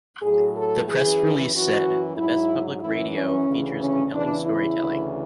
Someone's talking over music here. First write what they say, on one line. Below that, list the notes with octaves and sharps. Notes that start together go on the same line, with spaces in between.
The press release said, The best public radio features compelling storytelling.
A2 F#3 G#4
A4
F#2 E3 G#4
F#2 E3 F#4
G#2 F#3 E4
F#2 E3 E4
C#4
D2 C#3 E3
C#4
E2 C#3 E3 D4
E4
D2 C#3 E3